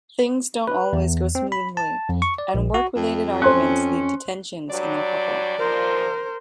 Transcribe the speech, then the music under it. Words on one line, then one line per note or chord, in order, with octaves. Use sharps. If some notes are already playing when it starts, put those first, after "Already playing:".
Things don't always go smoothly and work-related arguments lead to tensions in their couple.
B4
E2
C4
B5
A5
F2
C#6
D5
A#1
F#4
F2
C#4 C5 C6 F#6
G2 F#3 D5
D#2 A#2 F3 A#4 C5